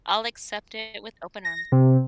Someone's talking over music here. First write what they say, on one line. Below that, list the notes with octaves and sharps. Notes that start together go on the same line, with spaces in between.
I'll accept it with open arms.
A#6
C3